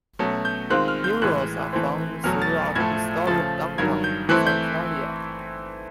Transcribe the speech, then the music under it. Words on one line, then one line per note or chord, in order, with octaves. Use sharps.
Murals are found throughout historic downtown Centralia.
B2 F#3 A3 C#4
G6
D#3 G#3 C4 F4 F#6
F6
G6
A2 E3 G#3 F#6
E3 A3 C4
E2 B2 F#3 A3 F6
A6
A2 F3 A3 G#6
C#3 F3 A3 A6
G2 D#3 F#3 G#6
G6
E3 A3 C4 E4 F#6
G6